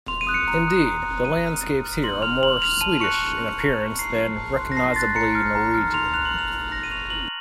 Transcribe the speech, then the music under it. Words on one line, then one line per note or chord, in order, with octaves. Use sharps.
Indeed, the landscapes here are more Swedish in appearance than recognisably Norwegian.
C6 F7
D#7
D#6 F#6
C#7
A#5
D#6 F#6
A#5
D#6 F#6
C6 D#7
F6
C6
F6
C6 F#7
F6 F7
C6 F#7
F6 F7
A5 D#7
C#6 F#6 C#7
A5
C#6 F#6
A#5
C#6 F6
A#5 C7
C#6 F6
A5
C6 F#6
A#6
A5 C7
C6 F#6 A6
A#5 C#7
F6
A#5
F6
C6 F7
F#6 F7
F#7
C6
F7
F#6
A#5 A#6
D#7
C#6 F#6 F7
A#5 F#7